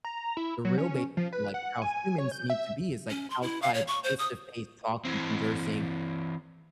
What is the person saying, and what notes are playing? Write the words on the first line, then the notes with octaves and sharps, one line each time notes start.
the real ba like how humans need to be is like outside face-to-face talking, conversing,
A#5
E4
F#3
C#4
F3
B4
F#5
G#5
C#5
G6
E5
C#4
C6
E4
F5
C#5
C#6
C5
D#6
E3 C4